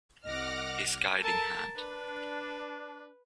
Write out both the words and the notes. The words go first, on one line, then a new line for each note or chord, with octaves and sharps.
His Guiding Hand.
C2 D#5 F#5 D6 F6 A#6
A4 A#4 A5
D4 B4